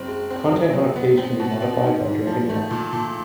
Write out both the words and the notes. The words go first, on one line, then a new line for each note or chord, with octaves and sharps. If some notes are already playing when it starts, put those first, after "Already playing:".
Content on a page can be modified by drag and drop.
Already playing: F#1 C4
G#3
C4
F#3
F#3
B3
C4
B2
C4
G#2
G#2
F3
A3
A#2
A#2